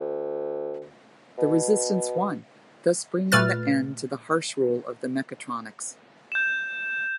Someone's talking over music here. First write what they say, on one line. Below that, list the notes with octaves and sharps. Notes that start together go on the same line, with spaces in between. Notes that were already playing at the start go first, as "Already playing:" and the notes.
The Resistance won, thus bringing the end to the harsh rule of Mechatronics.
D2
B2
A#2 A3 B4 F6 A6
G6 E7